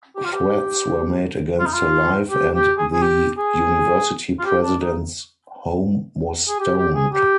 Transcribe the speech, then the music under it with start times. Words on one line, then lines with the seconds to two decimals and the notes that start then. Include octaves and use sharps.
Threats were made against her life and the University president's home was stoned.
0.16 G4
0.24 F4
0.32 G4
1.59 F4
1.66 D#4
1.73 F4
2.30 G4
2.55 G4
2.78 G#4
2.93 G#4
3.02 G4
3.38 G#4
4.39 F4
4.45 G4
4.63 D4
4.81 D#4
6.48 G#4
6.60 G4
6.77 G4
6.95 G#4
7.13 G4